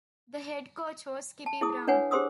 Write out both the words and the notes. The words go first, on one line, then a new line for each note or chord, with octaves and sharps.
The head coach was Kippy Brown.
A5
E4 G#4 D#6
D4 B4 C#5 F#5 G#5
G4 G#4 C5 C6 D#6 E6